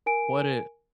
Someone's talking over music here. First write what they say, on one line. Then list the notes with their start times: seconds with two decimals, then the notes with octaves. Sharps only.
What did
0.06 A#4 G#5 D7